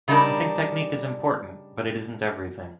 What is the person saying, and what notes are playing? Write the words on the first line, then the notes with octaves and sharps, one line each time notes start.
I think technique is important but it isn't everything.
C#3 G3 D4 D#4 A#4